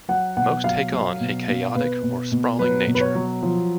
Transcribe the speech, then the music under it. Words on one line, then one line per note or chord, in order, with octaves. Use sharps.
Most take on a chaotic or sprawling nature.
F#3 F#5
B2 F#5
F#3 F5
F#3
B2
B2
B2 B4
B2
B2
F#3 B4
B2
B4
C#5
F#3
F3